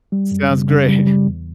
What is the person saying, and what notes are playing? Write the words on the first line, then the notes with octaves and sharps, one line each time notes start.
Sounds great.
G3
F#2
C#3
C#3
G3
G3
E2